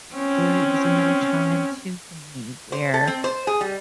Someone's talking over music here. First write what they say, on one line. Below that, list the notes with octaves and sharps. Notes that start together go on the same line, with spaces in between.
there was another time too for me where,
C4 C#4
C5
A4
C4
C5
G#4
G3